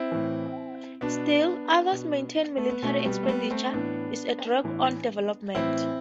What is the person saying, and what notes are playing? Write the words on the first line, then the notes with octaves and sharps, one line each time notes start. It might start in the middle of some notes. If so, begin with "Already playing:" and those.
Still, others maintain military expenditure is a drag on development.
Already playing: C4 E4
A2 E3
B2 B3 D4
B2
A3
B3
B2 A3 C4
G3 B3
A3
G3 B3
A3 C4
A2 E3 B3 D4
A2 E3
A2 E3 C4 E4